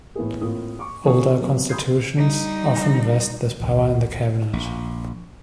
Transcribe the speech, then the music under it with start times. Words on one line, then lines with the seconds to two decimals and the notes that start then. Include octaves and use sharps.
Older constitutions often vest this power in the cabinet.
0.15 A2 B3 E4 G#4
0.41 A2 A#3 C4 F4 D#6
0.79 C#6 D6
1.04 D3 F3 D4 G#4 A4 C#6
1.38 C3 F#3 B3
1.69 B5 C6 D#6 G6 G#6 C7
2.16 G3 D#4
3.60 A1 D2
4.53 A#1